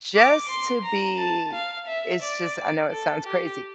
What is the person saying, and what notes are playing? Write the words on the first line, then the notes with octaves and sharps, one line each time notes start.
just to be it's just I know it sounds crazy.
D6
C6
A#5
A5
F5
E5
D5
A4
G4